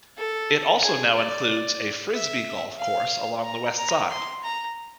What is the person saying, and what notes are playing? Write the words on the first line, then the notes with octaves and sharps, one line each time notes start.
It also now includes a frisbee golf course along the west side.
A4
G#4
D5
E5
F5
A#5
A#5
C6
A#5